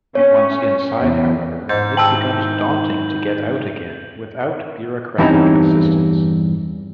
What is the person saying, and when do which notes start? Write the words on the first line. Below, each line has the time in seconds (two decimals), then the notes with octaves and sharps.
Once inside, however, it becomes daunting to get out again without bureaucratic assistance.
0.15 C#4 C#5
1.01 E2
1.69 G#2 G6
1.97 D#3 G#3 E4 G5 A5 E6 F#7
5.18 E2 G2 E3 C4 C#4 D#4